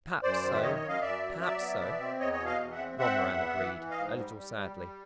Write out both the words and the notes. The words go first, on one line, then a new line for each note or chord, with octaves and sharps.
"Perhaps so, perhaps so," Romarin agreed a little sadly.
F#2 C5 D5
D#3
E5
F#2 C#5 D#5
C#5 D#5
F#2
D#5 F5
F#2 D5 E5
F#3
F#3 D5 E5
B3
B2
C4
E2 C#5 D#5
C#5 D#5
B2
D#5 F5
E2
E5 F#5
C4
C4 E5 F#5
E2
B3
E3
E3
D#5 F5
G#2
G3
G3
G3
G3